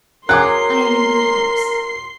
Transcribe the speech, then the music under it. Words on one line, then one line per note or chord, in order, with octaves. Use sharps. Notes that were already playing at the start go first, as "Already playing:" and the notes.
'I am in good hopes.
F#3 G#4 A#4 C6 D6 F#6 C7